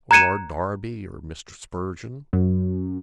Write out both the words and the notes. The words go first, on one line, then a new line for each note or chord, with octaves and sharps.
Or Lord Derby, or Mr. Spurgeon.
A#5 F#6 G#6 C#7 D#7 E7
F#2